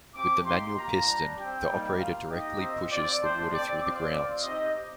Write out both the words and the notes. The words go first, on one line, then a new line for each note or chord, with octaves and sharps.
With the manual piston, the operator directly pushes the water through the grounds.
A3 C4 G4 D6
A#3 D#4 G4 C6
A#3 F4 A#5
G3 D4 G4
C4 G4 G5
G3 A#3 D#4 G4
A#3 F4 F5
A#3 D#4 G4 D#5
C4 F4
C4 F4 D5
A3 D4 G4 C5
C4 G4 D5
C4 F4 D5
C4 F4
C4 D#4 G4 D#5